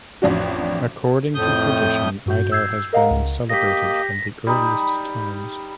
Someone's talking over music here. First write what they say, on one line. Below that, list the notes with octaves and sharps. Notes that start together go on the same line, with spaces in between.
According to tradition Idar has been celebrated from the earliest times.
A1 F2 D4 F#4
F2 A2 A3 D#6 G6
G2 F#4 G6
E6 G6 G#6 C7
A#4 D#5 F5 F#5 A#5
C#2
A#3 G4 D#5 A#6 B6
G3 D#4 B5